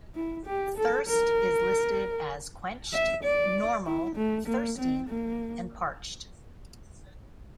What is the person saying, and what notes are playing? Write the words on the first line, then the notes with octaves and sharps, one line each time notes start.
Thirst is listed as "Quenched", "Normal", "Thirsty", and "Parched".
E4
G4
A4
A#4
E5
D5
E4
A3
A#3
C4
A#3